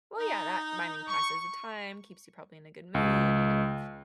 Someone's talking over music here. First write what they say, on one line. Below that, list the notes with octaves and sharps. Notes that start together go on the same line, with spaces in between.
Well, yeah, that, I mean, passes the time, keeps you probably in a good mood, you know,
D#4
C#6
C#2